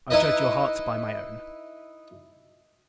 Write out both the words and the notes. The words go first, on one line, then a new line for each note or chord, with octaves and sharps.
I judge your hearts by my own.
D#4 E4 B4 D#5